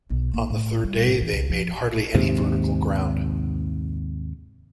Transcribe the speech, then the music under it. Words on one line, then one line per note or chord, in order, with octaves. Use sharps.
On the third day they made hardly any vertical ground.
B1
A#3
A2
G3
A2
E3
C#2
F3
D#2 G#2 C3